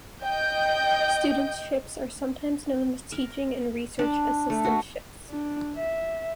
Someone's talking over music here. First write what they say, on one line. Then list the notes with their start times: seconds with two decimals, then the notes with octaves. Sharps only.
Studentships are sometimes known as teaching and research assistantships.
0.24 D#5 G5 G6
3.12 A#4
3.99 D4
4.50 A3
4.65 F#4
5.30 D4
5.77 E5